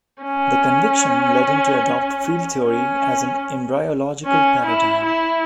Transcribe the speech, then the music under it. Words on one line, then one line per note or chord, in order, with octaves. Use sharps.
This conviction led him to adopt field theory as an embryological paradigm.
C#4
C#4
C#4
E4
E4